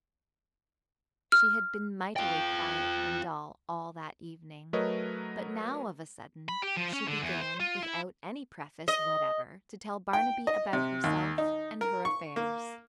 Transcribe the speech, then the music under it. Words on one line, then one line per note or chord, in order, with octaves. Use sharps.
She had been mightily quiet and dull all that evening, but now of a sudden she began, without any preface whatever, to tell Barnaby about herself and her affairs.
F6
F4 G5
F#3 A3 A#4 B4 C#5 D#5
B5
G4
F3
C#4
D3
E2
C5
F4
E4
D#5
G5
D#5
C3
D#2
D#4
A#4
C#6
A#3